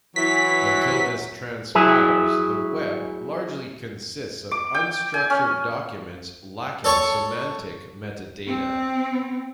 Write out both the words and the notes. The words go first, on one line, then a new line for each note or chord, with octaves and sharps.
Until this transpires, the web largely consists of unstructured documents lacking semantic metadata.
E3 F#3 B6
F#3 E4 G#4
D6
G5
G#5
C#4
A4 C#5 A5 C#6
C4